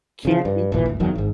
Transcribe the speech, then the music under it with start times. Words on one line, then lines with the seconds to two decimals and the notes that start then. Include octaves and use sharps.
can't eat
0.25 C#3 F3
0.45 G2
0.72 D#1 A#1 A#2 E3
0.86 G#1 D2
1.00 F#1 E2 D#3 F#3
1.15 G#1 G#2